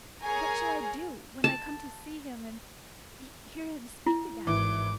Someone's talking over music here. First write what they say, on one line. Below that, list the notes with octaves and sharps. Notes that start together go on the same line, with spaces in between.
What shall I do when I come to see him and hear him speak again!'
G#4 A#4 C#5 G#5 A#5
A5
E4
G#1 E3 D6